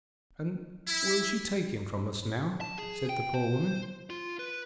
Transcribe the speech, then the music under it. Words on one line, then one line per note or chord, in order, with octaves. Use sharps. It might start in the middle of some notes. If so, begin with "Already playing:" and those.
'And will she take him from us now?' said the poor woman.
E4
A5
G#4
G5
C5
F4
B4